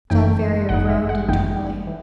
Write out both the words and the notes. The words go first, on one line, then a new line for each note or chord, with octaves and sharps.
John Ferrier groaned internally.
G1 F#2 E3 A3 D#4 G5
G1 F#2 E3 A3 D#4 F#5
E5
F#5
G1 F#2 E3 A3 D#4 G5
E3